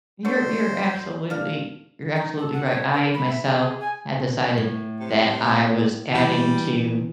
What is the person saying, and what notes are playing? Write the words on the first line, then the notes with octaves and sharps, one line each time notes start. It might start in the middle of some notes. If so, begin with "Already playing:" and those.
You're you're absolutely you're absolutely right. I myself had decided that I was adding to
D3 C5 C#5
D4 F5
D#4
A4
F#5
C#5
A#4
B5
E5
G#4
G#5
A2
C3
E3 G3